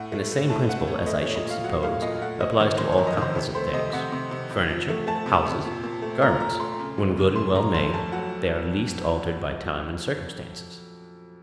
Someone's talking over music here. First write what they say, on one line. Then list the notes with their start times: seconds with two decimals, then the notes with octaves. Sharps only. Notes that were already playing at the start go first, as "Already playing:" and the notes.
And the same principle, as I should suppose, applies to all composite things--furniture, houses, garments: when good and well made, they are least altered by time and circumstances.
Already playing: A2 F#5
0.12 A3
0.31 A3
0.50 A2 A5
0.69 A3 F#5
0.88 A3 C#5
1.07 A3 D#5
1.22 A#2 C#5
1.36 D#5
1.45 A#2 F5
1.64 F#3 F#5
1.83 A3 F5
2.02 A#2 D#5
2.22 A3 F#5
2.40 A3 D#5
2.60 D#3 C#5
2.78 D#3 C5
2.92 C#5
2.98 F2
3.07 D#5
3.17 D#3 C5
3.35 C3
3.55 A3 C5
3.73 C3 D#5
3.93 C3 F#5
4.12 C3
4.31 C3
4.51 C3
4.69 F3
4.88 A3
5.07 A3 A5
5.26 C3
5.45 C3
5.65 A#2
5.83 A#2
6.02 A3
6.22 A#2 A#5
6.40 A#2 A#5
6.59 A3 C6
6.79 C#3
6.98 F#3
7.17 C#3
7.35 A3 C6
7.54 A3 A#5
7.74 F2 C6
7.94 A3 A5
8.12 F#3 F#5